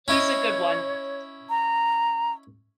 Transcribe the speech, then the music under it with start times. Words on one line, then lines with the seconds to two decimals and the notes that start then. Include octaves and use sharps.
He's a good one.
0.08 C#4 E4 C#5 D#5
1.50 A#5